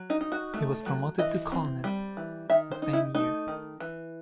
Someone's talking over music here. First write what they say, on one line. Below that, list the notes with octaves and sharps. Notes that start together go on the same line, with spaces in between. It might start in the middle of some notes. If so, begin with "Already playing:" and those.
He was promoted to colonel the same year.
Already playing: F#3
D#4
D#4
F#4
A3
F#3
E3 D#5
C4
G3
E3
D#3 E5
C5
D#4
E4
A3 D#4
D#3
E3